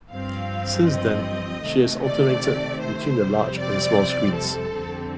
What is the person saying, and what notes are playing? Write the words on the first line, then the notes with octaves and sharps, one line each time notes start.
Since then, she has alternated between the large and small screens.
G2 F3 C4 F5
D#5
C3 D#3 A3
D5
C5
F2 C3 G3 C4
D5
A4
F2 D3 G3 C4